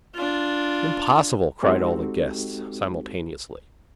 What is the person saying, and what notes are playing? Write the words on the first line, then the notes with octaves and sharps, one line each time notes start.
"Impossible!" cried all the guests simultaneously.
D4 F4
G#3 C4 D#4 F#4 G4 A4